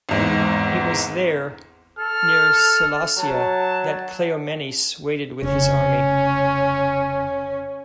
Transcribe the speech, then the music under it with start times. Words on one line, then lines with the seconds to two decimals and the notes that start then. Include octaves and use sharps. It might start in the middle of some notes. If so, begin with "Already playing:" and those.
It was there, near Sellasia, that Cleomenes waited with his army.
0.09 G#1 E2 G#2
1.99 A4 F6
3.18 F#3 A5
5.43 F1 C#3 C#4